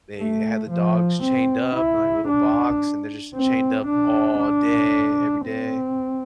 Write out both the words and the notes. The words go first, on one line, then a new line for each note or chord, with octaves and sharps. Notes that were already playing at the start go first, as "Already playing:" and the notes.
they had the dogs chained up in, like, a little box and they're just chained up all day, every day.
A3
F3
C4
E4
D4
C4
D4
D4
C4